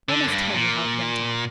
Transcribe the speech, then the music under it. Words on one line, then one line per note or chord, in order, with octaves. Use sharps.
But I must tell you how it went off.
D3
F#2
G2
A#2